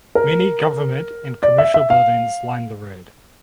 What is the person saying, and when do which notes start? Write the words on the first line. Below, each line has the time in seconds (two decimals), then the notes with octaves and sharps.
Many government and commercial buildings line the road.
0.15 A#4
1.43 D5
1.58 E5
1.74 E5
1.90 F5